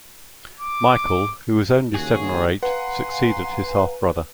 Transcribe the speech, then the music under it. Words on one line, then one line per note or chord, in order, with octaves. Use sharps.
Michael, who was only seven or eight, succeeded his half-brother.
D6
D#2 C#3 F#4 G#4
B4 F5 F#5 G#5 A#5 C6